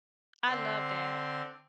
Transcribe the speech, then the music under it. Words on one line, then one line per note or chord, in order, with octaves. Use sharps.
I love that.
D3 C4 C6